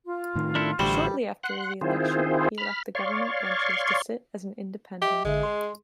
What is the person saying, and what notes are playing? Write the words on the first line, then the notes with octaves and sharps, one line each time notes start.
Shortly after the election, he left the government benches to sit as an independent.
F4
A2 D#3
D4 E4 A4
A1 A2 D3 G3 E4 F#4 C5
F#5 C6 F#6
D#3 C4 E4 F4 G#4 C5
B5 F6
C#5 D5 F5 C6 C#6
G4 D#5 E5
A1 D3 G#3 E5
G#4 C6